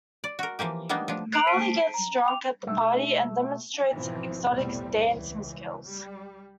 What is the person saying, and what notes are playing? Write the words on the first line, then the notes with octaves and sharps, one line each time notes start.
Carly gets drunk at the party and demonstrates exotic dancing skills.
D5
F#4 A#4
E3 F3 A#3 G4
G3 A#3 B3 D4 D#4
F3 D4
F#6 C7 D7 F7 F#7
C5 A5 B6 C7 D7 D#7
A#5
G5 D6 F7
B2 A3
G#1 B2 E3 F3 C4
B1 E2 A2 C3 G3 C4
C#2 E3
G3